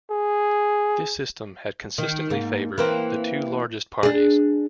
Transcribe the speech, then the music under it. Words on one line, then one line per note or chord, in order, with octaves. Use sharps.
This system had consistently favoured the two largest parties.
G#4
D#3
G#2 A#3
E3 A#3 C4
D4 G#4